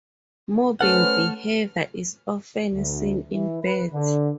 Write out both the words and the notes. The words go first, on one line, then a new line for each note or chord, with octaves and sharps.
Mobbing behaviour is often seen in birds.
A3 C#4 A4 B4 C5 F#5 F6
D2
E3
B4
D3